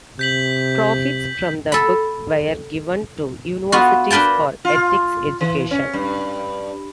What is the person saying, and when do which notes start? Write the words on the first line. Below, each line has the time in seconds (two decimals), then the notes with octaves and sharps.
Profits from the book were given to universities for ethics education.
0.19 C3 G6 B6 F#7
1.72 A4 B5
3.72 B3 F4 F#4
4.11 D4 A#4 B4 G5 A5
4.65 F4
5.41 E3
5.71 C#4
5.93 G2